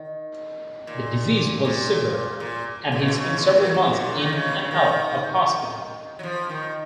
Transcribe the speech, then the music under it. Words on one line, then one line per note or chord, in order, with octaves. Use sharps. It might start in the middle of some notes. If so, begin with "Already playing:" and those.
The disease was severe and he spent several months in and out of hospital.
Already playing: D#3
A#2
A#2
A#2
B2
C#3
B2
C#3
B2
A#2
G#2
A#2
D#3
C#3
B2
C#3
D#3
F#3
F3
D#3